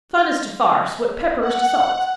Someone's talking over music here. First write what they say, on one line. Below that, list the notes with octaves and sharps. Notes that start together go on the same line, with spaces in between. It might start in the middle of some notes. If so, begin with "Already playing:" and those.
Fun is to farce what pepper is to salt.
F#5